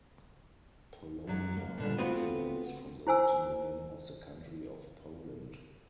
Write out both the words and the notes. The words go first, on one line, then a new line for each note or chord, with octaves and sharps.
Polonia originates from the Latin name of the country of Poland.
F#2 F#3
A#3
A#2 D3 G3
A3 B3 C4 F4 F#4 B4
E4 C5 G#5 E6